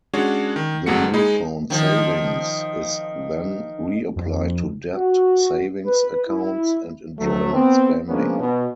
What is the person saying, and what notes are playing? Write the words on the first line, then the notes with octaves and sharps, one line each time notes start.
The newfound savings is then reapplied to debt, savings accounts and enjoyment spending.
G#3 C#4 D4 F#4 C#5
D#3
G1 E2 G#3 A3 F#4 C#7
G#3 D#4 G#4 B5
D#3 F3
F2
F#4
B4
E4
D2 F#3 A3
B3 C4
F3 G#3 A#3 B3 C#4 D4
B2